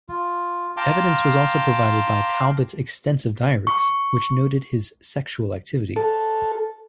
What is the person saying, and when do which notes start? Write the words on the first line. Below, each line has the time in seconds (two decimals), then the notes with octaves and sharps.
Evidence was also provided by Talbot's extensive diaries, which noted his sexual activity.
0.09 F4
0.77 F5 G5 A5 A#5 C6 D6
3.67 C#6
5.96 A4